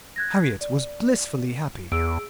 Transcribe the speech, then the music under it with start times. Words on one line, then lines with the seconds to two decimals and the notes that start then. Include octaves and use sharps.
Harriet was blissfully happy.
0.16 F#6 G#6 A#6
0.61 D5
1.92 E2 G#4 E6 D7